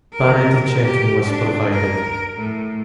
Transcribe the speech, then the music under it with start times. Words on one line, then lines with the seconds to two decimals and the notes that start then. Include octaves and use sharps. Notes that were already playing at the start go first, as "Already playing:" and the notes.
Parity checking was provided.
0.13 A#4
0.83 G4
1.24 D4
1.72 A#4
2.36 A2